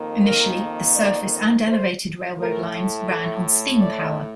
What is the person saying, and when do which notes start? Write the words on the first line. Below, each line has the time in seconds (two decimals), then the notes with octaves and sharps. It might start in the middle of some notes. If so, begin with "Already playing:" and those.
Initially the surface and elevated railroad lines ran on steam power.
Already playing: F2 D#3 A#3
0.25 A#4
0.96 D5
1.68 C5
2.39 A2 A3 A#4
3.10 A4
3.81 D5